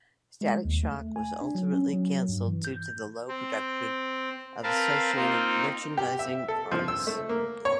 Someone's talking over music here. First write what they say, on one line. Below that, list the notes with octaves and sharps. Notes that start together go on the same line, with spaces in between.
"Static Shock" was ultimately cancelled due to the low production of associated merchandising products.
G#3
D#2
A3
G#5
D4
F#3
C#4
F#3
G2
E3
G6
C4
C4 A#4 B4 F5 A5
A#3 C4 D#4 F4
G4
E5
A4
F3
E6
A3
A#3
C#5